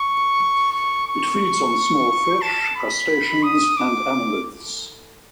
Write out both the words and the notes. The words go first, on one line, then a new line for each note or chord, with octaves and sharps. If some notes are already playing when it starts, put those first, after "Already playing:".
It feeds on small fish, crustaceans, and annelids.
Already playing: C#6
C#6
C#6
A5
B5
D#6
D6